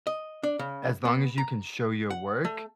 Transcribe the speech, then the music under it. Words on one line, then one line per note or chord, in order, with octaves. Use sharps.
as long as you can show your work
D#5
D4
C#3
B3
A#5
F#5
A3